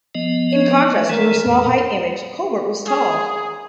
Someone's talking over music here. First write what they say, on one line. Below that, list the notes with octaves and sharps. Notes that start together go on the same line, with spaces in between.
In contrast to her small height image, Colbert was tall.
F3 B3 D#5
C#5
A3
E3 G#3 A3 A#4
F2 A#2
G#4